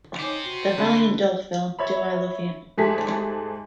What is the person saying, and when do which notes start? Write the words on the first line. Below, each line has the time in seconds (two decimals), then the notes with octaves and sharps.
The Valiant Doll film Do I Love You?
0.19 D#4 G4 C5 C#5 G#5 D6
0.45 F#4
0.78 D3 A3 C4 B5
1.79 C#5 E5 B5
2.78 G#2 G3 A3 G#4 A5 B6